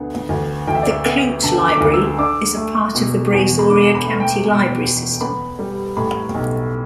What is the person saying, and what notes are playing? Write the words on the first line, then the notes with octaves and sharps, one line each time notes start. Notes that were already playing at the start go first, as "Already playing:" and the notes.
The Clute Library is a part of the Brazoria County Library System.
Already playing: D2 D3 B3
D2
D2 G5
E5
D5
E5
B3
D3 A5
D6
D2
E6
D4 D6
A3
B2
E2
B5
D4 D6
B5
A3
G5
B2
E2
B3 B5
G3
A2 B5
B1